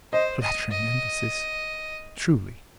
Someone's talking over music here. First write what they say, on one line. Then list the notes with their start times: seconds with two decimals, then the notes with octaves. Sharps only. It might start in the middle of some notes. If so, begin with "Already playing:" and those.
A flattering emphasis, truly!
0.13 C5 D#5
0.42 D#5
0.71 D#5